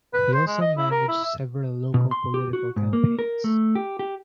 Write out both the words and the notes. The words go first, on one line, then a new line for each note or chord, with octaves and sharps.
He also managed several local political campaigns.
B4
C5
G#3
D#5
E4
A#4
E4
E5
B2
C6
G4
F#4
G#2
A#3
A#4
A3
G4
G4